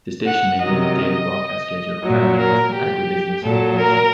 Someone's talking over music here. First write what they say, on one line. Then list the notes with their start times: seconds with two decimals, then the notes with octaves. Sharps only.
The station maintained a daily broadcast schedule of farm news and agribusiness information.
0.26 F#5
0.61 C3 D#3 F#3 D#5
2.02 A#2 F#3
2.36 A#4
2.73 G4
3.42 A#2 F#3 A4
3.78 A#4